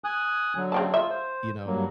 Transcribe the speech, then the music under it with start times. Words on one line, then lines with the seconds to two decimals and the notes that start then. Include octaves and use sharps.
you know,
0.04 G#5 D#6 F#6
0.56 D3 F#3
0.72 C#3 C4 A5
0.94 F4 E5
1.10 C5
1.66 G2 F#3 A#3